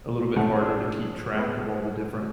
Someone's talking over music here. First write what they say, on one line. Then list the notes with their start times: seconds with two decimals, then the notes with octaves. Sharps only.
a little bit harder to keep track of all the different
0.36 A1 A2 A3 F#5
0.60 D4 G#4 C6
1.35 G#3 B3